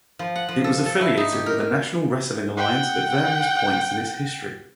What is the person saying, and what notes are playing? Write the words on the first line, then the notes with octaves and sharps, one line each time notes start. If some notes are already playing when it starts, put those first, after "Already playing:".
It was affiliated with the National Wrestling Alliance at various points in its history.
F3
F#5
F3
A4
A4
E4
D#4
G4
A#4
F#5 G5